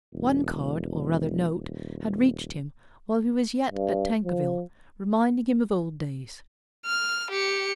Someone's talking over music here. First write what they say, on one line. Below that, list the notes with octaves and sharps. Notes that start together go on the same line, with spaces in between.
One card, or rather note, had reached him while he was yet at Tankerville, reminding him of old days.
E1
D#1
G2
F3
F6
G4 C#7